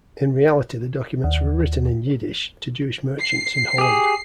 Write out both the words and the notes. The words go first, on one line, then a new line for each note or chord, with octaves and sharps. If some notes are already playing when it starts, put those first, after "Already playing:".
In reality the documents were written in Yiddish, to Jewish merchants in Holland.
D#2
C7
G4 G#4